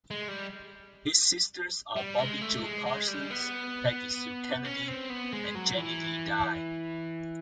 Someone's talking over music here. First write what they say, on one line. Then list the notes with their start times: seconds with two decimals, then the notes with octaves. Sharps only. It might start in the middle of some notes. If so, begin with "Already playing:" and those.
His sisters are Bobbi Jo Parsons, Peggy Sue Kennedy, and Janie Lee Dye.
0.11 G#3
0.28 G3
1.96 G3
2.19 G#3
2.41 A3
2.64 G#3
2.86 G#3
3.08 G3
3.31 B3
4.65 C#4
4.88 C4
5.10 B3
5.33 G#3
5.55 F#3
5.77 E3